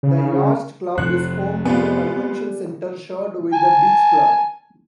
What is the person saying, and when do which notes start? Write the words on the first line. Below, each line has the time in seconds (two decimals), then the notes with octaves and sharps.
The Yacht Club is home to a Convention Center shared with the Beach Club.
0.03 C#3
0.98 F2 C3 F3 C5 C#5 F#6
1.65 B3 C4 F4 G4 D5 G#5
3.53 G#5 A5